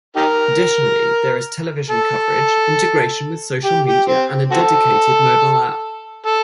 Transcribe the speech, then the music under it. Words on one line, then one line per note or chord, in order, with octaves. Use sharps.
Additionally there is television coverage, integration with social media, and a dedicated mobile app.
D#4 G4 A#4
A4
G4
G4
C4
C4 F#4 A4
A4